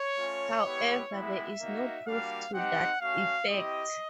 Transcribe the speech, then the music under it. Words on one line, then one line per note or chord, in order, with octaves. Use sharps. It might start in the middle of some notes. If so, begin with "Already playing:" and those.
However, there is no proof to that effect.
Already playing: C#5
A3 C#4 F4
G#3 B3 E4 G4
G#3 B3 E4 G4 E5
A#3 D#4 F#4
G3 A#3 D4 F#4 F5
C4 D#4 G4 F#5
A3 C#4 F#4 F5
C4 E4 G4 D#5